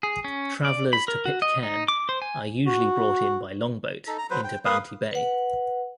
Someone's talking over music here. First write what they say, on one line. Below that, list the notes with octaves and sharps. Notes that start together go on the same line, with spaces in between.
Travellers to Pitcairn are usually brought in by longboat into Bounty Bay.
G#4
C#4
D5
B5
A#4
F#4
D#5
D#4
D6
C5
G#5
F#4
D#4 A4
A#5
F#3 B4 C5
G5
A#3 B4 F5 D#6
B4 F#5